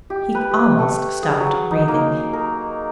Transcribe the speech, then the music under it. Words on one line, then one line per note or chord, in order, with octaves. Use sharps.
He almost stopped breathing.
G4
B4
G4
A3
G#4
F#3
D#4
A#3
A#4